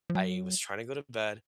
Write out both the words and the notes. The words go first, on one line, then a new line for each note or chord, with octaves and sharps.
I was trying to go to bed,
F3
F#3